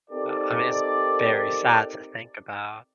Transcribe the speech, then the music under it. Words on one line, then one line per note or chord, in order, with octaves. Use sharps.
Yeah. I mean, it's very sad to think about.
C4 D#4 G4 A4 A#4 D5